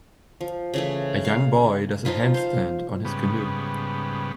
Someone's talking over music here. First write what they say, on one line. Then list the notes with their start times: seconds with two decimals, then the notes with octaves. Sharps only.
A young boy does a handstand on his canoe.
0.41 F3
0.74 C#3 E3 A3
1.25 F5
2.05 F3 D#4 F4 B4
2.34 C5 F5
3.05 G#2 C#3 G3 B3